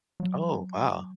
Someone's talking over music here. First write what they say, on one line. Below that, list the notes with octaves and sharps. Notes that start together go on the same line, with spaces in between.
Oh, wow.
F#3